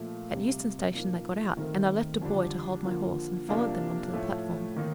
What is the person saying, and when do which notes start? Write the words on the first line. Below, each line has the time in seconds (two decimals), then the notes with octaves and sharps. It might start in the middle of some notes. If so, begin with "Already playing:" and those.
At Euston Station they got out, and I left a boy to hold my horse, and followed them on to the platform.
Already playing: A#2 F3 A3
0.29 C3 G3 C4
0.93 A#2 F3 A#3 D#4
1.57 D#3 A3 C4 D#4 A#4
2.21 F2 D3 G3 D4
2.85 D3 F3 A#3 F4
3.49 C3 F3 A#3 D4
4.13 A2 F3 A3
4.76 D#3 A#3 D#4